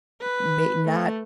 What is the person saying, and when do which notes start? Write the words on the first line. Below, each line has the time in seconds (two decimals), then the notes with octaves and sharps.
ma not
0.21 B4
0.85 A3